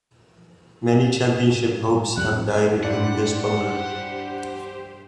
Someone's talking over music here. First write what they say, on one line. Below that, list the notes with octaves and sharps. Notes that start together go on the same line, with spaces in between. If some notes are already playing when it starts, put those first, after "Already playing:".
Many championship hopes have died in this bunker.
C2 F2 G3 F#6
G2 D4 E4 G4 C5 D5 F#5